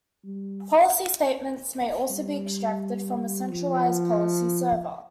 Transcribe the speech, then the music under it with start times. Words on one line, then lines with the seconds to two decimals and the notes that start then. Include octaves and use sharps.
Policy statements may also be extracted from a centralized policy server.
0.24 G3
2.10 G3
3.50 F3